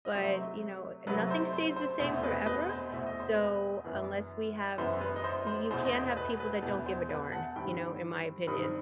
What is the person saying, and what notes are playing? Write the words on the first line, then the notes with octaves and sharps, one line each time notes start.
but, you know, eh nothing stays the same forever. So, unless we have eh I you can't have people that don't give a darn, you know, in my opinion.
D#5
C3 F#3 A3 C5 E5
C3 F#3 A3 B4 D#5
C5
C5
C5
E2 B2 A3 C4 C5 E5
B4 D#5
B4 D#5
C5
E2 B2 A3 C4 E5
D#5
C5
B4 D#5
F#2 E3 B3
F#2 E3 B3 C5
B4
D#5
C5
C5
E2 B2 A3 C5
D#5
C5
B4
B4
E2 B2 A3 B4
C5
B4
F#5 A5
G2 D#3 G3 C4 G5 B5
G2 D#3 G3 C4 B5 D#6